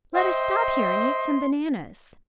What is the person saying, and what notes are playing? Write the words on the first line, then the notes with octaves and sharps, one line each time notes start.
Let us stop here and eat some bananas.
C5 D#5 E5 G5 C6